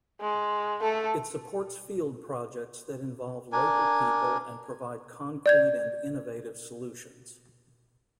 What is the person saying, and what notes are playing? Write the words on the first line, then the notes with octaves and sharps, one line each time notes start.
It supports field projects that involve local people and provide concrete and innovative solutions.
G#3
A3 A4
D4 A#4 G#5
D5 G6 G#6